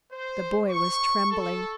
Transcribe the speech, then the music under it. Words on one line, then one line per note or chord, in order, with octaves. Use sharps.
The boy was trembling.
C5
C#6
A4